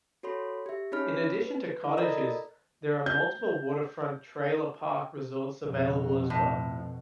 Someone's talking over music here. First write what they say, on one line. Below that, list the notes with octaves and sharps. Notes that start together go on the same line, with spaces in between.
In addition to cottages, there are multiple waterfront trailer park resorts available as well.
F#4 A4 C#5 B5 C6
G4 E5
C#4 D#4 G#4 C#5 B5 F6
B4
E4
A4 A#4 D5 D#5 A#5 B5
G6
F2 B2
A2